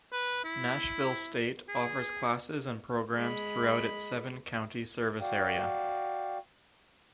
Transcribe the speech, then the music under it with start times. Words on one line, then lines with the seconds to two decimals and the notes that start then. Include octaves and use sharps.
Nashville State offers classes and programs throughout its seven county service area.
0.13 B4
0.45 E4
1.69 G#4
3.17 G#3 B5
5.21 F#4 D5 F5 G5